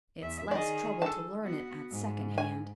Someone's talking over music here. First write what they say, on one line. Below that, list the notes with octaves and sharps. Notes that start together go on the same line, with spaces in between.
It's less trouble to learn it at second hand.
E2 E5
D#3 G#4 D5 D#5
A4 A5
B3 F#4
G#2
G#5